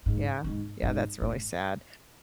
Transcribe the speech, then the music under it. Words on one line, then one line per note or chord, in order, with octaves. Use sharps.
Yeah. Yeah, that's really sad,
G#2
G#2
G#2
A2